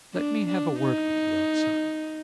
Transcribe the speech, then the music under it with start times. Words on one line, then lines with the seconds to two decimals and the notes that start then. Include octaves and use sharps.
Let me have a word with you outside.'
0.14 D4
0.47 D4
0.80 D#4